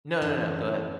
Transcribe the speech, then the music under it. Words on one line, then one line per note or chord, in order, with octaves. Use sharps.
No, no, no, go ahead.
F#2 D3 E3 B3 D#5 A5